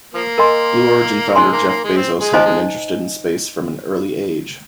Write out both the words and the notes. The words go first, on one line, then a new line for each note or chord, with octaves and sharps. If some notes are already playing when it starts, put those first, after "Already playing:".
Blue Origin founder Jeff Bezos had been interested in space from an early age.
F3 A#3
A#4 D#5 G#5 C6
G#3 D#4 C5 G#5 C6
A#3
A#3
G#3
C4
G#3 G#4
F3 D#4 C5 D#5 G#5
G#3